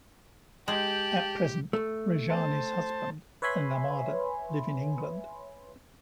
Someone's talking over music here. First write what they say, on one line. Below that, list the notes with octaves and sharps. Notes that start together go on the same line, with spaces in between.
At present Rajani's husband and Narmada live in England.
G#3 G4 G5 A5 F#7
A3
C5 A5
B4 C#5 E5 G#5 B5 C6